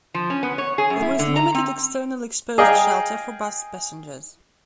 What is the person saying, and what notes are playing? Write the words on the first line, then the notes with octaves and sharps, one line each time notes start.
There is limited external exposed shelter for bus passengers.
F3
C#4
B3
C#5
G#4
F#2
E4
D3
A#5
C4
G#4 D#5 F5 G5 A#5